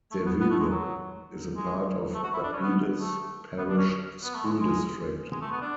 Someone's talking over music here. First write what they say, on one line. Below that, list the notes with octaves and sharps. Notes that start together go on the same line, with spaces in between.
Deville is a part of Rapides Parish School District.
A3
B3
B3
A3
G#3
F#3
G#3
A3
F#4
E4
D4
C#4
B3
A3
B3
D4
C#4
B3
A3
G#3
G#3
G#3
A3
B3
D4